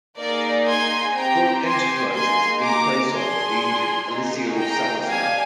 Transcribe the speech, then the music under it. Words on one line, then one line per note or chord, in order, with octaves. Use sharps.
Foyt Enterprises in place of the injured Eliseo Salazar.
A#3 D#4 G#4 A#4 D5
G#5 C6
C4 G4 G5 A#5
G#5 C6
A#3 D#4 G#4 G#5 C6
A#5 D6
D4 G#4 G#5 C6
A#3 D#4 G#4
G5 A#5
D4 G4 F5 G#5